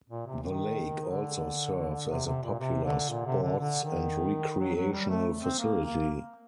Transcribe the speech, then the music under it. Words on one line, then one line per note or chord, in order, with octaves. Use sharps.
The lake also serves as a popular sports and recreational facility.
A#2
C3
D#3
D3
C3
C3
A#2
C3
D3
A#2
C3
D3
D3
D#3
F#3
F#3
G3
A3
C4
A#3
A#3